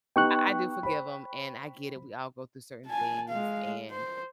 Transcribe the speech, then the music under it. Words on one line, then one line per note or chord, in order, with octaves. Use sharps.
I do forgive him, and I get it. We all go through certain things, and,
B3 D#4 G4 G5 C#6 F#6
C5 B5
G#5 A5
G#3 F5
C5